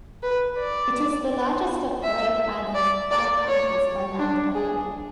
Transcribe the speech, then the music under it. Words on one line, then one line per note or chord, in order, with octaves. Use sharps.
It is the largest of Rhode Island's five counties by land area.
B4
D5
E5
D5
D5
C#5
D4
G#4